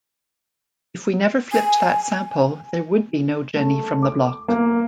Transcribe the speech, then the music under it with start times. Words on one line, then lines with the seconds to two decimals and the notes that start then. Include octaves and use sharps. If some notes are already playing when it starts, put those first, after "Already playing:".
If we never flipped that sample, there would be no Jenny From The Block.
1.52 G#5
3.56 A3
4.03 D6
4.48 A#3